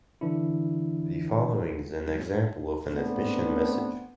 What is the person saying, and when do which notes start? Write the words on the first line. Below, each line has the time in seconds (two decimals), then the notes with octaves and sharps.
The following is an example of an admission message.
0.21 D3 E3 D4 E4
2.94 A3 B3 C4 D4 B4